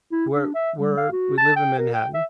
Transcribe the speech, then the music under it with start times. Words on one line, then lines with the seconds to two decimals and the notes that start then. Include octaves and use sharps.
Where where we live in Manhattan.
0.11 E4
0.35 D4
0.55 E5
0.79 G3
0.97 F5
1.12 F#4
1.38 A5
1.56 G5
1.78 A#4
1.94 G5
2.14 E5